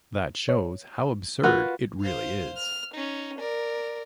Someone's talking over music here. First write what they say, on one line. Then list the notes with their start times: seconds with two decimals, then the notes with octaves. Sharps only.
That shows how absurd it really is.
0.49 C#5
1.43 F4 F#4 A#4 B4 F#5
2.01 C5 F5
2.57 F6
2.94 C#4 D#4
3.39 A#4 D5